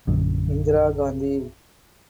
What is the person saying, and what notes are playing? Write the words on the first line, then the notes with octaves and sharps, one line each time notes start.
Indira Gandhi.
A#1 F#2 D3